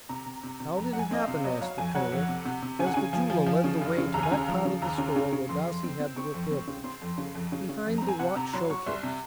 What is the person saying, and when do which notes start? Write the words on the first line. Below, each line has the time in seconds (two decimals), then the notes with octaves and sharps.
"How did it happen?" asked the colonel, as the jeweler led the way to that part of the store where Darcy had the repair bench, behind the watch showcase.
0.09 C3 A#5
0.26 C3
0.43 C3
0.60 C3
0.77 F2 A#5
0.93 F2 F#5
0.99 G#5
1.11 C4 D#5
1.21 F5
1.27 C3
1.44 F#3 D#5
1.61 F#3 F5
1.78 F2 G#5
1.95 F#3 F#5
2.12 F2
2.28 C3
2.45 C3
2.62 C3
2.79 C#3 G#5
2.86 F#5
2.94 C#3 G#5
3.13 F3
3.30 F3
3.46 F3
3.64 C#3
3.81 F1
3.98 C#3
4.14 D#2 A#5
4.23 G#5
4.31 C#3 A#5
4.48 F3
4.65 C#3
4.82 D#2 A#5
4.98 C#3
5.16 C#3
5.32 C#3
5.49 F2 C6
5.67 F2
5.83 C4
6.00 C4
6.16 C4 C#6
6.34 F2
6.51 C4
6.67 C#3
6.84 C4 C6
7.02 F2
7.18 C#3
7.35 F2
7.52 C#3
7.69 C#3
7.86 F2
7.98 C4 A#5
8.08 G#5
8.19 C3 F#5
8.36 C3 A#5
8.53 F#3 C6
8.70 F#3 C#6
8.86 C2 C6
9.03 C3